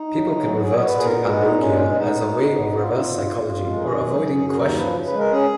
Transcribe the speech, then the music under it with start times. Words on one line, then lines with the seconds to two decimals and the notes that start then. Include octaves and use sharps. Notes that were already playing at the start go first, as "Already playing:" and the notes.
People can revert to alogia as a way of reverse psychology, or avoiding questions.
Already playing: D#4
0.12 F#3
0.31 F#3
0.44 G#4
0.49 B3 F#4
0.62 G#4
0.69 B3 C#5
0.86 A#2 B4
0.97 G#4
1.05 B3 A#4
1.23 G#3 F#4
1.43 A#2 D#4
1.60 G#3 C#4
1.78 B2
1.90 C#4
1.97 B3 D#4
2.16 G#3
2.35 B2
2.54 B3
2.71 B3 F#4
2.80 F4
2.88 B2 D#4
2.97 F4
3.08 F2
3.28 F2
3.46 F2 F4
3.64 G#3
3.77 A#4
3.83 D#3 G#4
4.01 F#3
4.19 F#2
4.39 F#2
4.49 G#4
4.56 D#2 A#4
4.75 F3 B4
4.94 C#3
5.06 B4
5.13 G#3
5.19 A#4
5.31 C#4 G#4